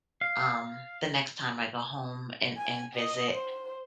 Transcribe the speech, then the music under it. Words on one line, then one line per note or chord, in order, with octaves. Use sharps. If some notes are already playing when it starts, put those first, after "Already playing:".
um, the next time I go home and and visit.
F5
G#5
D#5
C5